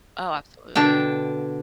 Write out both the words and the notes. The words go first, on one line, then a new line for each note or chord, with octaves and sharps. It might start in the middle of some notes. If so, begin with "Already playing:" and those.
Oh, absolutely.
B2 D3 D4 G5